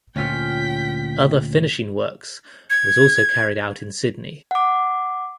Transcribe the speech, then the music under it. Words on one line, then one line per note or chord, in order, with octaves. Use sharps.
Other finishing works was also carried out in Sydney.
D2 A#2 C#4 F4 G5 F6 B6
G#6
F#5 D6